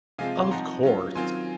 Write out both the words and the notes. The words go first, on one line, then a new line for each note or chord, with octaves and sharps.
Of course.
C3 F3 G#3 C4 F4 F5 G#5
C6
F3 C4 D#4 F#5 A#5
F#3 C#4 F4
D#3 F#3 C4 F4 G#5 C6